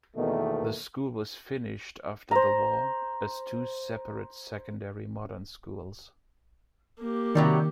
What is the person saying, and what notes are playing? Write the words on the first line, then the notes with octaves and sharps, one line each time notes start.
The School was finished after the war as two separate Secondary Modern Schools.
E2 B2 D#3 A3 A#3
C5 A#5
A#3 G4
C3 D#3 F#3 G3